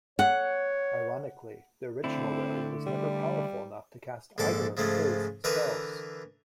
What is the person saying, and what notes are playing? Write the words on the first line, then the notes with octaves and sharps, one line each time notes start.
Ironically, the original Rary was never powerful enough to cast either of "his" spells.
C#5 F#5
D3 A3 C4 E4
G3
A#1 G#2 D3 A4 D6
G#2 C#3 F3 G#3 A3
D3 E3 A#4 B4 E5 D#6